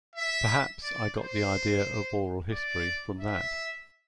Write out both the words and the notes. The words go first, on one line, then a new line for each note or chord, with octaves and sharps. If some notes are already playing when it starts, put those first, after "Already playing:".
Perhaps I got the idea of oral history from that.
E5
D5
C5
D5
E5